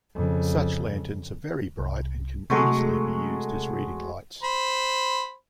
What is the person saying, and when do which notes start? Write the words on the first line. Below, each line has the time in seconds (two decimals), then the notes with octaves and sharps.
Such lanterns are very bright, and can easily be used as reading lights.
0.15 F2 C#3
1.79 C2
2.50 C3 F#3 G#3 A3 G#4 A4
4.43 C5 B5